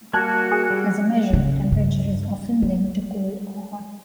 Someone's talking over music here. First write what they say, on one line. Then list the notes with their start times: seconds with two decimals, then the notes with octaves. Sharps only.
As a measure, temperature is often linked to cold or hot.
0.13 G3 A#3 F#4 A5 F#6 G#6
0.52 G#4
0.70 G3
1.33 C#3
1.72 G2
2.62 G#3